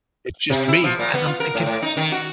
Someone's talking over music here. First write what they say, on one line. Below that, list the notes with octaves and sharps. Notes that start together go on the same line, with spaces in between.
It's just me," and I'm thinking,
C3
E4
F3
A#2
B3
F4
A#4
A2
A2
D#4
D#3
F#4